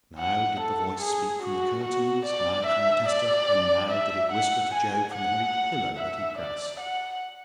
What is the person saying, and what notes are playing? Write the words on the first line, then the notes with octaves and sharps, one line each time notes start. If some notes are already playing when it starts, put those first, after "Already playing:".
Now did the voice speak from the curtains; now from the tester; and now did it whisper to Job from the very pillow that he pressed.
F#5
A4
G#4
F#4
F#4
D5
E5
D5
E5
F#5
G#5
F#5
E5
D5
F#5